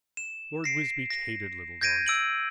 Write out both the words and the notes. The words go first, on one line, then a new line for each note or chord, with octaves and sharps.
Lord Wisbeach hated little dogs.
E7
A#6 C7 D7
A#6
G6 G#6 A#6 D7 D#7
E6 D7 F#7